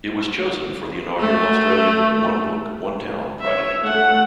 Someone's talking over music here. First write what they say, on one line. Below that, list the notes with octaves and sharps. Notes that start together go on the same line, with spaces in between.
It was chosen for the inaugural Australian "One Book-One Town" project.
A3
C#5 E5
A3 F#5